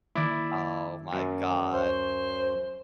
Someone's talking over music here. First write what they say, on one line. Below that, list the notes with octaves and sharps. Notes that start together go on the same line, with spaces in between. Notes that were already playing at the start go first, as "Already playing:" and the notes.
Oh, my god.
D#3 A#3 E4 D5
F#2
D2 C5 C#5 C#6